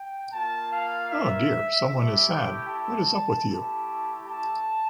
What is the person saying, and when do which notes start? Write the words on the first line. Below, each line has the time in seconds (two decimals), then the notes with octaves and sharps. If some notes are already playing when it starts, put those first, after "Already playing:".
Oh dear, someone is sad. What is up with you?
Already playing: G5
0.33 A#3 F4 A5
0.72 F5
1.11 E5
1.89 A3 E4 G4 E5
2.29 G5
2.68 A5
3.46 A3 E4 G4 A5
4.25 A5